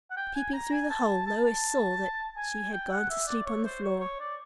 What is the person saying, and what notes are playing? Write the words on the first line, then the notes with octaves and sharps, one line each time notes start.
Peeping through the hole, Lois saw that she had gone to sleep on the floor.
F#5
G5
G#5
A#5
G#5
A5
A5
A5
G#5
G5
F#5
E5
D5
C#5
C5
C#5
C#5
D5